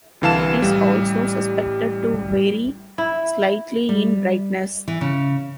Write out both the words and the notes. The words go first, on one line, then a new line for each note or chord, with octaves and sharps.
It is also suspected to vary slightly in brightness.
C2 D3 E3 F5 A5 E7
A1 G3
E4
G3
E3
C#3